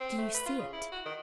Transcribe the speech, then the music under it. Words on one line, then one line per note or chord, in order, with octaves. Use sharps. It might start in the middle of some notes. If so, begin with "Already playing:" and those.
"Do you see it?"
C4
A3
B4
F4
C#3
E4
F#4
D#3